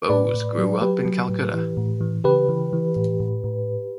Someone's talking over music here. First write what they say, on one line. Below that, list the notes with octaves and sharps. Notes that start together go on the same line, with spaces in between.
Bose grew up in Calcutta.
A2 B4 D5
A2
F#3
F#3 G4 B4
F#3
A2
E3
A2
E3
C#3 G4 B4
E3
E3
A2
A2
A2